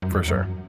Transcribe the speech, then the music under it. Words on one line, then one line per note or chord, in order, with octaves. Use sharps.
For sure.
F#2
E2
F#2